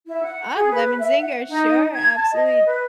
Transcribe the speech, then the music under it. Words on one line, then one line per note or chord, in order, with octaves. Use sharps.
Ah, lemon zinger, sure, absolutely.
E4
F#5
G#4
B4
E5
F#5
D#4
G#6
A5
D#5
B4